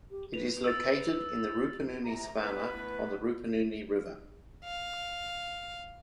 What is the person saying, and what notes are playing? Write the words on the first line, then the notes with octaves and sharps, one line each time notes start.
It is located in the Rupununi savannah on the Rupununi River.
G4
B4 F7
E6 A6
D2 C3 A#5
A3 B3 E4 B4
F5